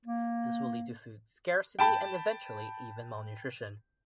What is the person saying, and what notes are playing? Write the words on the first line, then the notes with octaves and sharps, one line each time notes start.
This will lead to food scarcity and eventually even malnutrition.
A#3
G5 A5 B5